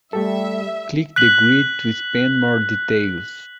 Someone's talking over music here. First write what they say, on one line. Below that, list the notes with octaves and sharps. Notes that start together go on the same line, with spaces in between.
Click the grid to expand more details.
G3 A3 G4 A4 E5
F#6 B6 F#7